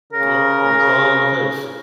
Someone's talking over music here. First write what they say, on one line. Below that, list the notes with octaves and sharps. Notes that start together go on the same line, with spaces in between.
Yep, and it's all on the face.
C#3 A#4